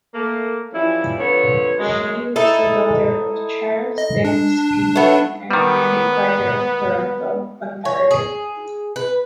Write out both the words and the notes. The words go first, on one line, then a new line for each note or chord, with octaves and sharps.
She was the daughter of Charles Dennis Kingdon and Mary Carter of Toronto, Ontario.
A3 A#3
E3 F3 G3 C#4 E4
D3 F3 B3 C4 C#5
F#2 G#3
D#4 E4 A4
D#5
D4
A3 B3
D#3 G3 B3
C#5
G#4
B4